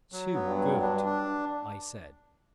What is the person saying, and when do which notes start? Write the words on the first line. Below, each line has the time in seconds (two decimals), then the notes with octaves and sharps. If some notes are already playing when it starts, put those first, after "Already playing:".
"Too good," I said.
0.12 F#3
0.35 B3
0.46 G2
0.58 F#3
0.81 G2 D4
1.05 D4